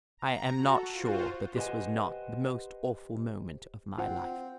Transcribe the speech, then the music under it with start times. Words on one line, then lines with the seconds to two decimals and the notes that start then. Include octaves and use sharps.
I am not sure that this was not the most awful moment of my life!
0.18 A#5
0.54 F#4 A4
0.91 F4 F#4 C5
1.56 G4 B4 C5 D#5 F#5 G#5
3.98 C4 F4 F#5